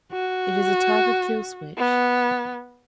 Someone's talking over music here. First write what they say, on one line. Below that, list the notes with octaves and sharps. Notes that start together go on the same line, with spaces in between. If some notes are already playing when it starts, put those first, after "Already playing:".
It is a type of kill switch.
F#4
B3